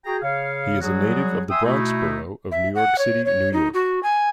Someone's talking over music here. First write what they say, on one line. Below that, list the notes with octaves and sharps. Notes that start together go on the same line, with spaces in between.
He is a native of the Bronx borough of New York City, New York.
F#4 G#4 G5 A#5
C#3 C#5 F5
F#3 G3 F#4 G#4
E5 G5 G#5 C6 D#6 E6
B2 A3 D#4 E4
E5
F#5
C#5
C#5
D#4
F#4
G#5